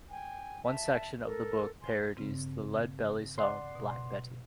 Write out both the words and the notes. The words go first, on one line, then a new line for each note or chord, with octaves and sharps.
One section of the book parodies the Lead Belly song "Black Betty".
G5 G#5
E5 A5
A4 A#4
G#5 C6
G2 C#3 C4
D5 F#5 C6
B2